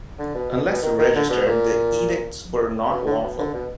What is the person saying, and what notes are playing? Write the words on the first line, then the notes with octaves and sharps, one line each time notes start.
Unless registered, the edicts were not lawful.
D3
B2
B2
B2
D#3
D#3
D3
B2
A#2
B2
D3
B2
D3
B2